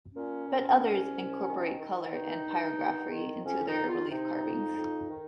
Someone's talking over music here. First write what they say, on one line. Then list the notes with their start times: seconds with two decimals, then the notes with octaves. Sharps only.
But others incorporate color and pyrography into their relief carvings.
0.15 A#2 C#4
0.48 A#2
0.81 C2
1.14 C2
1.47 D#3
1.79 D#3
2.12 G2 D#4
2.46 G2
2.78 D#3
3.11 D#3
3.44 F2 C#4
3.66 D#4
3.77 F2
3.88 F4
4.10 C3 D#4
4.43 F2
4.76 F2
5.09 D#3